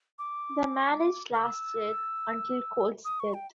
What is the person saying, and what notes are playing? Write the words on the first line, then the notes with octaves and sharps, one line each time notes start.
The marriage lasted until Cole's death.
D6
F6
E6
D#6
C#6
G5